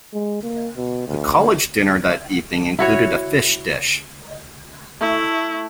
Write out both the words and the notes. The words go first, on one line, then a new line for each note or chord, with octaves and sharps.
The college dinner that evening included a fish dish.
G#3
A#3
B2
D2
E4 F#4 C#5
A3 E4